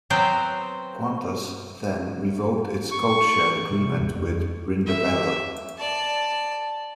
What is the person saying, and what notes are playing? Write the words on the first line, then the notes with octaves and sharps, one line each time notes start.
Qantas then revoked its codeshare agreement with Brindabella.
F#3 B3 C4 C5 G5 A#5
C#6
C#6
C3
D#2
F2
E5
D5 A5